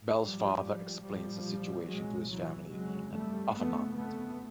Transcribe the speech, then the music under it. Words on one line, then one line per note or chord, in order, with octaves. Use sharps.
Belle's father explains the situation to his family and Avenant.
A1 G#2 F3 G3
A#1 A2 F3 G3
C2 A#2 F#3 G#3
E3 F#3
G1 F2 C#3 F#3 G#3
G3 A3
G1 F2 C#3 A3 B3
A3 B3